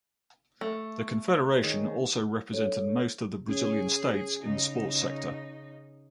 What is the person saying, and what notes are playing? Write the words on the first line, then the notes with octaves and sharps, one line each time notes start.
The Confederation also represented most of the Brazilian states in the sports sector.
A3
D#3 G#4 C#5
D4 A4 C5 C#5
C#4 G#4
C#3 D#4